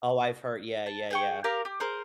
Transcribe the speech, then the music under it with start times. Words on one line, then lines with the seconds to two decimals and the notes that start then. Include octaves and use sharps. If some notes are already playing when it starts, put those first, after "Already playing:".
Oh, I've hear yeah, yeah, yeah.
0.86 A5
1.11 G#4 G5 C#6
1.44 G4 A#4 F5 A#5
1.65 G4
1.80 G#4 A#4 C5